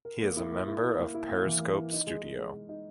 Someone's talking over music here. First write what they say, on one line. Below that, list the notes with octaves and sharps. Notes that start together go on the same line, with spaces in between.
He is a member of Periscope Studio.
A#4
A#3
E4
A#3
E4
E4
A#3
E4
A#3
E3
A#3
E4
D#4
G#3
G#3
G#3
G#3
D#4